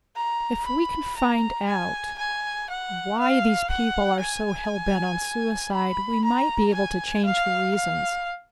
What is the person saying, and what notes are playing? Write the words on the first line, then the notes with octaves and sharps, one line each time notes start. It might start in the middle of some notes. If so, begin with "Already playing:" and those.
If we can find out why these people are so hell-bent on suicide we might be able to change the reasons.
A#5
B5
A#5
G#5
G#5
F#5
F5
F#5
G#5
B5
A#5
G#5
F5
F5